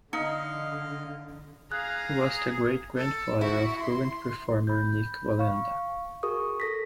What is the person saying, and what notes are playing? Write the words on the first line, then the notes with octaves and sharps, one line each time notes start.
He was the great-grandfather of current performer Nik Wallenda.
D3 D#4 D#5 F5
G#4 F5 A#5 F#6
A4
E4 F#4
C6
B5 G6
F5 C#6
F#4 G#4 A#4 C#6 D#6
A4 A#6 B6